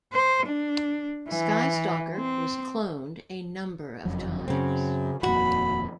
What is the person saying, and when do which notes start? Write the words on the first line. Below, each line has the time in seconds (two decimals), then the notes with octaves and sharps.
Skystalker was cloned a number of times.
0.13 C5
0.46 D4
1.29 E3
2.16 C4
4.05 F#1 F2 F#3
4.48 F#2 C#3 C4
5.23 D#1 F2 A#3 F#4 B5